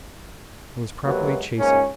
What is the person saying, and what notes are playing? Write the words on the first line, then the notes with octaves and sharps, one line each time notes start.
I was properly chastened.
C3 F#3 G#3 A#3 B3 F#4
G#2 F3 G#3 A#3 C#4